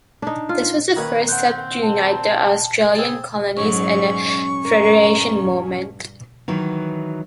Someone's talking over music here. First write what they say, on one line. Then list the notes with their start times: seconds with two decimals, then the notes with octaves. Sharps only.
It was the first step to unite the Australian colonies in an federation movement.
0.22 D4 D#4
0.49 F4
0.96 D#3 A#3 C#4 B4
1.28 C4 F#5 F#6 G6
1.82 A5
2.95 C4 G#4 A5
3.57 G#2 F#3 C#4 C#6
4.65 G2 A#4
6.48 D#3 E3 F#3